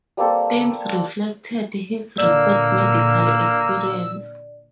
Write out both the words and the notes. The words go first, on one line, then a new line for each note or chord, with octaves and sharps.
Themes reflected his recent medical experience.
G3 A#3 C4 A4
A#2 D3 A#3 D5 E6